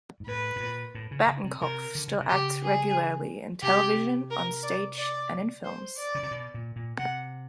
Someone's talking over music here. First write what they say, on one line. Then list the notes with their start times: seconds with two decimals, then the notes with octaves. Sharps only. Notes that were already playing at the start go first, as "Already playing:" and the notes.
Batinkoff still acts regularly in television, on stage, and in films.
0.20 G#2
0.26 A2 B4
0.56 A2
0.60 A#2
0.95 A2
1.11 C#3
1.27 C#3
1.44 C3
1.61 C3 A#4
1.95 D3
2.08 C#3
2.20 C3
2.29 C#3 G4
2.62 G#4
3.63 C3 G4
4.31 A#4
4.63 D5
4.97 D5
5.64 C5
5.98 D5
6.15 C#3
6.23 C3
6.31 B2
6.54 A#2
6.76 A#2
6.98 C3 F#5